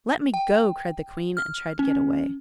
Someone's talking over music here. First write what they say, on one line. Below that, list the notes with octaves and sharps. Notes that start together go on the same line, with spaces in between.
"Let me go!" cried the Queen, and tried to get away.
G5
F6
C#4